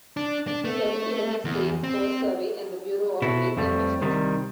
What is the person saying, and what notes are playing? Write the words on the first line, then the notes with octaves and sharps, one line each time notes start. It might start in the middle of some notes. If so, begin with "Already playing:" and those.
He headed the United States Coast Survey and the Bureau of Weights and Measures.
D4
D4
A3
E2
C4
B2 E4 F#4 A4
F2 F3 G3 A3
C2 C3 D#3 G3